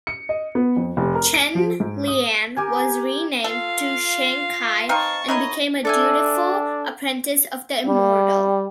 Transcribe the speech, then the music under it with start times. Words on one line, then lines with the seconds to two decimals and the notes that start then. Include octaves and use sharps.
Chen Lian was renamed to Shancai and became a dutiful apprentice of the immortal.
0.07 C#7
0.29 D#5
0.55 B3
0.77 F2
0.97 F1
1.15 A#4
1.34 D7
1.55 F3
1.80 G#2
2.08 D#6
2.56 G4 A#4 G#5
3.44 F4 A4 F5
4.89 C4 D#4 F5 A5 C#6
5.28 D#3 E4 C#5 D#5
5.85 D4 A4 E5 G#5
7.86 G3